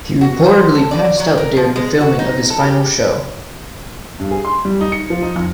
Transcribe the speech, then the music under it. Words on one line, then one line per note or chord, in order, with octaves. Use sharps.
He reportedly passed out during the filming of his final show.
F#4
C5
A4
D5
F#3
A#4
F3
G#3
F#4
D#4
A4
G4
G2
G#4
C6
G3
D#4
C#7
F3
D#4
F2